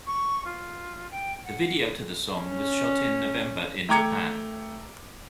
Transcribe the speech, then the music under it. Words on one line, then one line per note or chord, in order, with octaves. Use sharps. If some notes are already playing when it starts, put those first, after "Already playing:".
The video to the song was shot in November in Japan.
C#6
F4
G5
F#5
C#4
A3 G5 A#5 D6 G#6 C#7